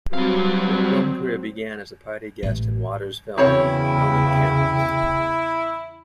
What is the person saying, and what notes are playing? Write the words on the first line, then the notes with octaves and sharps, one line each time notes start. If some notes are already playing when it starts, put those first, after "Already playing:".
Her film career began as a party guest in Waters' film "Roman Candles".
F#3 G3 C4 F5
A1
E2 C#3 C4 E4 F#4 C#5 G5